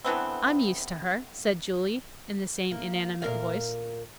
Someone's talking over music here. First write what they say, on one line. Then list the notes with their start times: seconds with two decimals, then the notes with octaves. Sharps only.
"I'm used to her," said Julie, in the same inanimate voice.
0.05 D3 E3 B3 C4
2.71 A#3
3.22 A#2 A#4 F5